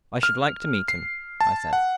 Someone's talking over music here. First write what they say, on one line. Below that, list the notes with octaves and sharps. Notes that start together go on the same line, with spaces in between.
"I should like to meet him," I said.
F6
C7
A5
F#5